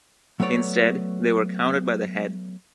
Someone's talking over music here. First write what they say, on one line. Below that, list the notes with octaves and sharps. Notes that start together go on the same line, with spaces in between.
Instead, they were "counted by the head".
F#3 A3 B3 C#5 D5